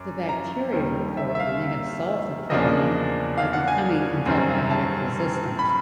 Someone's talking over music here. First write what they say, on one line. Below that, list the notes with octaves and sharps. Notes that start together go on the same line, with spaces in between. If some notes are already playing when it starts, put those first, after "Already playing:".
The bacteria report when they have solved the problem by becoming antibiotic resistant.
Already playing: F#2 D6
A#5
D#2 D#3 G3
E5
E5
F5
E2 C#3 F3 A#3 D4 D#5
F5
F#5
G#5
F#2 D#3 G3 C4
A5
B5